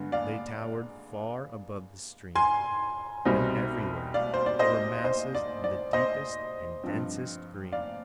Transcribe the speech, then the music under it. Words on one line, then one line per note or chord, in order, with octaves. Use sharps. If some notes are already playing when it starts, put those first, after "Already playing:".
They towered far above the stream, and everywhere there were masses of the deepest and densest green.
Already playing: G2 D3 G#3 B3
D5 F5
G#5 C6
C2 B2 G3 C4 D#4
D5 F5
C5
D5
C5 D#5
C5 D#5
D5
D5
C5 D#5
G2 F3 C4
D5 F5